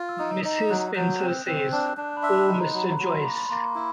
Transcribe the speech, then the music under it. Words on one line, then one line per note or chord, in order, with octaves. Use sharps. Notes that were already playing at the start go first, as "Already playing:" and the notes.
Mrs. Spencer says — oh, Mr. Joyce!
Already playing: F4
E6
D#4 D#6
D#4
F#3 F#6
F#3 G6
C4 F#6
C4 F#6
D4 F#6
F#6
D4
B5
E5 C6
B5
D#4 B5
A#5
F#3 B5
B5
F#3
C6
A#3 B5
B5
A#3 C6
B5
E4